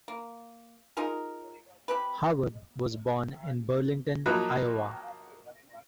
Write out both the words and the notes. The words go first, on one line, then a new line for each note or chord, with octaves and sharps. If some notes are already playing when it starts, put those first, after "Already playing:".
Howard was born in Burlington, Iowa.
A#3
D#4 F4 G#4 A#4
C4 G4 B4
F3 F#3 A#3 D#4 F#4 B4